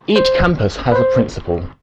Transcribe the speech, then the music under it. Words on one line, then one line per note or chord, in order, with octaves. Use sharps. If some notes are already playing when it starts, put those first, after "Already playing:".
Each campus has a Principal.
C5
B4
C5